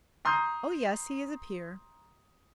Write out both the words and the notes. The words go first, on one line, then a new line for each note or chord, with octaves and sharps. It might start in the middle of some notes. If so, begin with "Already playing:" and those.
"Oh, yes, he is a peer."
A#5 C6 D#6 G6